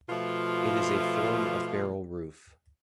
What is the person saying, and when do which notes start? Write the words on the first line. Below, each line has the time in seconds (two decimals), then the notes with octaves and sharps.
It is a form of barrel roof.
0.09 B2 F3 A3 F4